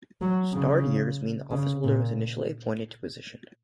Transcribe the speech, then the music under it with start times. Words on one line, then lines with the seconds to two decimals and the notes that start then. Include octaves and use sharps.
Starred years mean the officeholder was initially appointed to position.
0.21 F#3
0.53 C#3
1.51 C#3
1.84 A#2